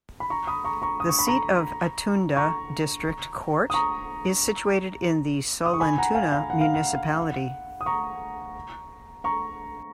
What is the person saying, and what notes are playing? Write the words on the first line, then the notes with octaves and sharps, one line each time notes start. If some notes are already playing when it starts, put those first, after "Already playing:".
The seat of Attunda district court is situated in Sollentuna Municipality.
B5
A#5 C#6
B5 D#6
A#5 C#6
A#5 C#6
D#6
C#6
B5
A#5 C#6
A#5 C#6
D#6
A#5 C#6
D#6
C#6
G#5 B5
F#5 A#5
F5 G#5
F5
F#5
F5
F#5
D#6
A#5 C#6
A#5 C#6